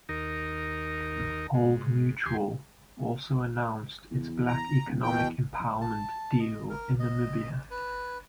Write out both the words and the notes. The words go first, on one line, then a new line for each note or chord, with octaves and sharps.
Old Mutual also announced its Black Economic Empowerment deal in Namibia.
D#2 D#4 A#4
G#2
D#2 G4 G#5 C6
E2
A#5
D1
E2 B2 G5
A5
D#5
A#4
D#5
B4